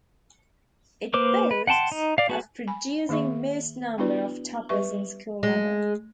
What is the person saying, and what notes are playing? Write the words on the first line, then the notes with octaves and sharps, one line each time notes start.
It boasts of producing most number of toppers in School level.
A#3 B4 C5 D6 F6
B4
F#5 G5 A5 C6
D#4
D5 F5
B3 F#4 G#4 B4 F#5
G#5 B5
D#3 A#3 G#4 E5 C#6
B3 D4 E4 F#4 B4 D5
G3 G4 B4 E5 C#6
G#3